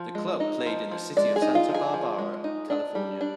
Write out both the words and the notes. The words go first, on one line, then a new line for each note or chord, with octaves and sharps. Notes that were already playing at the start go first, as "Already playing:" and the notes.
The club played in the city of Santa Barbara, California.
Already playing: F3
G#3
D#4
F3
F3
G#3 D5
G#4
D#4
F4
F3
G#4
F3
G#3
D#4
D4
G3
D4